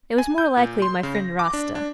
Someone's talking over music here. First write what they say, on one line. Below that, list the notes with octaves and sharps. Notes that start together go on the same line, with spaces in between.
It was more likely my friend Rasta.
G#5
G6
A#2
C6
C#3
A#6
D6
D4
D4